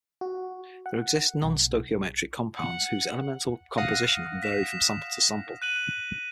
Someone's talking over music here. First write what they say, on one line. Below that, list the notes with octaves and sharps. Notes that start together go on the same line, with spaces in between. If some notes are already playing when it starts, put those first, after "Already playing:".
There exist non-stoichiometric compounds whose elemental composition can vary from sample to sample.
F#4
F#5
B1
F#5
F5 F#5 D#6 A#6
B6 E7 F7
F#6 D#7 F#7